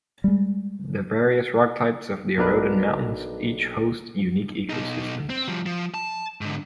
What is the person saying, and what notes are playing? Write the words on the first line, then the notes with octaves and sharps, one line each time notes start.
The various rock types of the eroded mountains each hosts unique ecosystems.
G3 G#3
B1 D4 A#4 B4
B2 D#4
C4
F3 G3
F3
A5
G#2 D3